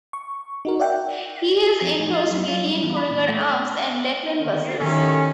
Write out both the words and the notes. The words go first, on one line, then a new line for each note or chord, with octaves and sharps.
He has endorsed Gallien-Krueger amps and Lakland Basses.
C#6
D#4 F#4 A#4
D5 E5 F#5 G5
F2
A2
F4
F#2
F4
G2
E2
B5
A#2
A3
D3 D#3
D#3 C#4 E4 G4 A4